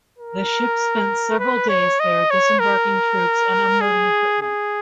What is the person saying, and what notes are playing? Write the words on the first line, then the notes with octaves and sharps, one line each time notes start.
The ship spent several days there disembarking troops and unloading equipment.
A#4
B4
C#5
D#5
C#5
A#4
G#4
G#4